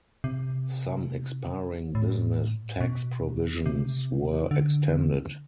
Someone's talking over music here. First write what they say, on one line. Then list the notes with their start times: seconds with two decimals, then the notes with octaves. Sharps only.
Some expiring business tax provisions were extended.
0.24 C3
1.95 A2
2.80 B2
3.66 C3
4.51 D3